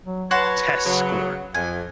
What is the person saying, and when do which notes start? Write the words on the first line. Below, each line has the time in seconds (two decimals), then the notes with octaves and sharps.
test score,
0.04 F#3
0.31 F#4 B4 C#5 A5 C6
0.86 C#3 F#3
1.54 F2 G#5